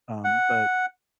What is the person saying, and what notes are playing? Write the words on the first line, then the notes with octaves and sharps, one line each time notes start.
Um, but
F#5